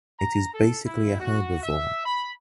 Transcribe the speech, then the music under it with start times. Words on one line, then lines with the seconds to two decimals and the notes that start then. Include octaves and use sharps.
It is basically a herbivore.
0.19 A#5
0.52 A4
0.86 E4
1.19 F#4
1.61 E5
2.05 B5